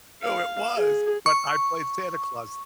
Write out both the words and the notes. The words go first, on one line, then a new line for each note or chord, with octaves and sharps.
Oh, it was, but I played Santa Claus
F5
G#4
C#6